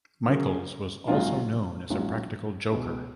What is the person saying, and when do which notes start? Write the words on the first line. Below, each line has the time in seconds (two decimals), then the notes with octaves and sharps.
Michels was also known as a practical joker.
0.27 C#3 F#3 A#3 C#4 G#4
1.08 A#1 G#2 F#3 C#4 F4
1.90 A#1 G#2 F#3 C#4 F4
2.72 C#2 B2 G#3